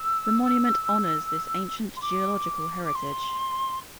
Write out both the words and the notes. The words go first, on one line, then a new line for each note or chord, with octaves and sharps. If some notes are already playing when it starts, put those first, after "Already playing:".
The Monument honors this ancient geological heritage.
Already playing: E6
C6
D6
D6
C6